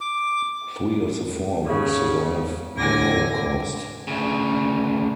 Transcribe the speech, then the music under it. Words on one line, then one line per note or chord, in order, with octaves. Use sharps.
Three of the four would survive the Holocaust.
D6
G#2 C#3
A2 D3 G#5 D6 A#6
D2 C#3